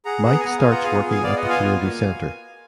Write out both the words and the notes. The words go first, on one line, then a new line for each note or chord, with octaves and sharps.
Mike starts working at the community centre.
G#4 F#5 A#5
B3 F#5 A#5
G#5
B3 F#5 A#5
F5 G#5
F4
F#5 A#5
G#4 F5 G#5
B3
F5 G#5
B3 D5 F5
D#5 F#5
F4
F5 G#5
F#4
A#3